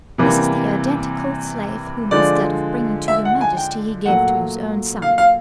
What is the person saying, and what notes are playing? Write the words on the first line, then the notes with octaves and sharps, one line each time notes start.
This is the identical slave, whom instead of bringing to your Majesty he gave to his own son.
C3 E3 G3 A#3
D3 F3 G#3 D5
E5
F#5
G#5
G5
A#2 F#3 A3 F#5
F5
F5